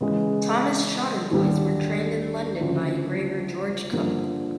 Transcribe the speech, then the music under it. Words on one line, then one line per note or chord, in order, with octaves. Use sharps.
Thomas Shotter Boys were trained in London by engraver George Cooke.
C#3 E3 G#3
D#2 D3 G3
D2 C#3 F3
G2 D3 F3 A#3